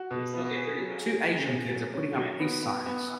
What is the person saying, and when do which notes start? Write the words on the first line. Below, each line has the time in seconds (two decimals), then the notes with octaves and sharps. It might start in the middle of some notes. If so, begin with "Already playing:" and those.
Two Asian kids are putting up peace signs.
Already playing: F#4
0.11 B2
0.34 B3
0.57 G#4
0.79 F#3
1.02 G#4
1.26 G#4
1.48 G#4
1.71 F#3
1.94 C#4
2.17 F#3
2.40 B3
2.63 B3
2.86 B3